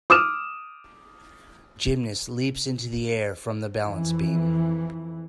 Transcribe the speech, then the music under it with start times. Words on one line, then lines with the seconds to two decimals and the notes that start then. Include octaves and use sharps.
Gymnast leaps into the air from the balance beam.
0.10 D6 D#6 F6 E7
3.82 F2 E3